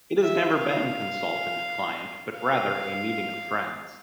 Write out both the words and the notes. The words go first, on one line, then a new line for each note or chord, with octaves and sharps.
It has never been consultant-client, but rather a meeting of friends.
E5
F5
F5